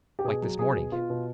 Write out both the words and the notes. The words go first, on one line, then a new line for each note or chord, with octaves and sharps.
"Like this morning."
G4
B2 G#4
F#3
F#3 G#4
B2
B2 F4
B2